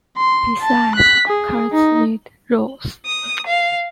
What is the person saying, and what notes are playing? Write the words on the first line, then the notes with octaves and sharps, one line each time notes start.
Besides, carts need roads.
C6
A5
F#6 B6
G#4
D#4
D#6
F5